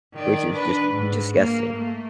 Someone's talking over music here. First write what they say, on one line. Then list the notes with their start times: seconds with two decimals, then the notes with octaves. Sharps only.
Which is just, disgusting.
0.14 D#3 D5
0.52 D4 B4
0.88 G#2
1.36 A#3
1.76 A3